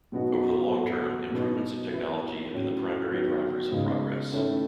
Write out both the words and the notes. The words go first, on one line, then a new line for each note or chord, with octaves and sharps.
Over the long term, improvements in technology have been the primary drivers of progress.
B2 F#3 B3 D#4 F#4
F#3 B3 F#4 A4
B2 F#3 B3 D#4
E3 B3 E4
A2 F#3 C#4
D#3 F#3 B3
C#3 G#3 B3 D#4
D#3 A3 C#4 E4